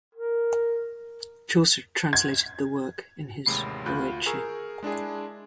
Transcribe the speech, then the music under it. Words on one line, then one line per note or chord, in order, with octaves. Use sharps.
Chaucer translated the work in his "Boece".
A#4
G#6
A1 D#2 C3 G#3 B5 C7
D2 F4 B5 F#6 G6
G#4 A#4 C#6 E6
G#3 D4 E4 G#4